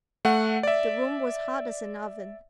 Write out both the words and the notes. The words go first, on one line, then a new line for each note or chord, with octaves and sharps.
The room was hot as an oven.
A3 F#5
D5 E5